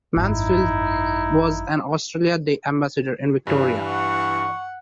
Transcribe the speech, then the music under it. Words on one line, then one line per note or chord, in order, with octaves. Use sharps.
Mansfield was an Australia Day ambassador in Victoria.
G#1 F#2 D#4 E4
G2 E3
F#5 C#6